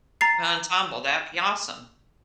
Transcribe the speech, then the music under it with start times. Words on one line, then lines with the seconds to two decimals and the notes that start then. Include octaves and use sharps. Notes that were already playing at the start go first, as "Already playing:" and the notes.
an ensemble, that'd be awesome.
0.21 A#5 A6 C7